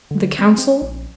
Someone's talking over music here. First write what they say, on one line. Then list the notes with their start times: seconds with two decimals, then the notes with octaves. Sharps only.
The Council?
0.11 D3
0.39 C4
0.58 C4
0.81 A#1